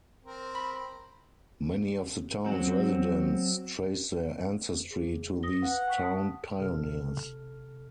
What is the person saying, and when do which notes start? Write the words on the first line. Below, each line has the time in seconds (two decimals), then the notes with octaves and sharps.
Many of the towns residents trace their ancestry to these town pioneers.
0.24 C4 A#4
0.55 B5
2.45 F#3 C4 F#4
4.91 G#4
5.43 D#6 A#6 G7
5.62 B4 F5 F#5
5.87 G5 C#6 B6
6.02 A5 D#6
6.59 G#1 C3 A4 F6